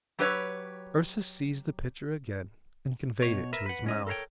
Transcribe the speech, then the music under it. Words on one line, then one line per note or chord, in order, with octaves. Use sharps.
Ursus seized the pitcher again, and conveyed it to his mouth.
F#3 G4 B4 C#5
B2 C#5
A#4 B4 E5
B4 F#5
G#2 C#4 D#5
A4 A#4 C5 C#5 G5